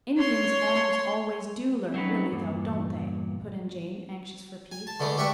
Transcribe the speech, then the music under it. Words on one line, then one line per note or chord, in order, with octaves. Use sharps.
'Indians almost always DO lurk, really, though, don't they?' put in Jane, anxious for peace.
C#5 C6
F#3 C4 C#4 D#4 B4
E2 G2 A#2
G#5
A5
D3 E3 G#3 A3
D4 G4 E5 F#5 C#6